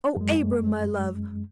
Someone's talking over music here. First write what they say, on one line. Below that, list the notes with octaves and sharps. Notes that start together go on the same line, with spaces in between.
Oh, Abram, my love!
F#2 G#3